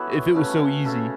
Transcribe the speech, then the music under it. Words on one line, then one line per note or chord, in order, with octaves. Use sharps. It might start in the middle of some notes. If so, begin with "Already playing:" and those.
if it was so easy,
Already playing: E3 B3 F#4 A4 C#5
C#3 A3 C#4 F#4
C#3 A3 C#4 A4